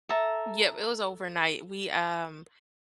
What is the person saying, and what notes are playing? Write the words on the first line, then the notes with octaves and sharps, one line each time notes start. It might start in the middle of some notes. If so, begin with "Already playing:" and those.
Yep, it was overnight. We, um
A4 E5 A#5